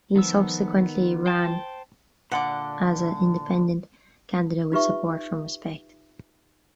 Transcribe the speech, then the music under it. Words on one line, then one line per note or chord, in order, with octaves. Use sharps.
He subsequently ran as an independent candidate with support from Respect.
D#3 F3 B3 E6
F4
C5 G5 A5
A#2 D3 F#5 D6
D#4 F4 G4 B4 E5 C#6